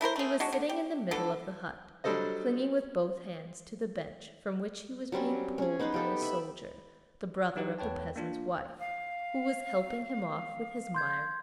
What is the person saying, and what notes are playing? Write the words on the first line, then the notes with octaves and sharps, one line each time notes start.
He was sitting in the middle of the hut, clinging with both hands to the bench from which he was being pulled by a soldier, the brother of the peasant's wife, who was helping him off with his miry boots.
A3 E4 A#4 C5
A3 G#4
G#3 D4 F#4
D3
G4
D3 E3 A4
F#3 G3 D4 A4 C5 D#5
F#3 G3 C4 C#4
C#4 G#4
B3 D#4 B4 C5
G4 A4
E5 B5
F#3 D#4 G4
E2 B4 C#5 G5 A5
A#3 D4 F4
F5
C6 G6 G#6